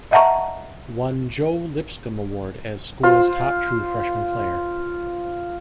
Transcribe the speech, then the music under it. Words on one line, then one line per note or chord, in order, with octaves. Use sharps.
Won Joe Lipscomb Award as school's top true freshman player.
D#5 E5 F#5 A5 A#5 C#6
F4 C5